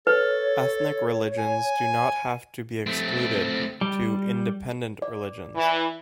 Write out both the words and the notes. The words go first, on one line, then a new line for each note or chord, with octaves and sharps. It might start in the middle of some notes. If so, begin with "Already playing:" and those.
Ethnic religions do not have to be excluded to independent religions.
A4 B4 C#5
G#5
A3 C4
G3
D5
E3